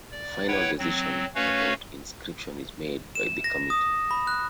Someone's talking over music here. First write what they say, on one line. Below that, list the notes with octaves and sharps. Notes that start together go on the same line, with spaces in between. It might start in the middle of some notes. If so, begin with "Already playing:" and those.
The final decision about inscription is made by the committee.
D5
E4 B4 C#5 F#5 G5
F#3 C4
A3 C#4 F#4 B4 C#5 F5
E7
A#6
D#6
B5
F#6